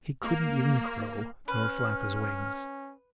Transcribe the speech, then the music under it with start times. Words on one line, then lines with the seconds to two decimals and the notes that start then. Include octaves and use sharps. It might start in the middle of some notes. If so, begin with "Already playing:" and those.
He couldn't even crow, nor flap his wings.
0.22 A#3
1.48 C#4 B4 F6